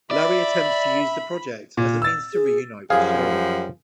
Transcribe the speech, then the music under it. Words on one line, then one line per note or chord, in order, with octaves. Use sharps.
Larry attempts to use the project as a means to reunite with Cheryl.
D5 E5 B5
A#2
E6 A6
G#4
F#2 F3 G3 G#4 F5